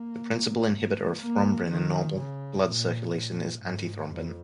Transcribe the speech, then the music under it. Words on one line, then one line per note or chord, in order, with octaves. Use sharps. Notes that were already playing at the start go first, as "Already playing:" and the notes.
The principal inhibitor of thrombin in normal blood circulation is antithrombin.
Already playing: A#3
A#3
D#3
C#3
A#2
A#2
G#2
F2